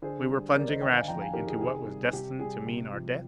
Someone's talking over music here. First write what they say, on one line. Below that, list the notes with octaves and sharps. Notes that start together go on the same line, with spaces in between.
We were plunging rashly into what was destined to mean our death?
D3 G#4 C5
G3
D#2 A#4 D5
C5 D#5
D3 D#5 G5
F5 G#5
F2 G5 A#5
F5 G#5
D#3 G4 A#4
G#4
C3 G#4
G3
C3 G4
G3 G#4
C3
F3